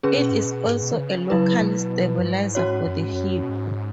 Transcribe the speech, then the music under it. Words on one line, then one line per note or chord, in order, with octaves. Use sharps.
It is also a local stabilizer for the hip.
C#3 C#4 G#4 B4
B2
G#2
B2
G#2
B2
E3
C#3
F#3 E4 B4
B2
F#2
G#2
C#4 F#4 C#5
F#2
G#2
F#2
B2
G#2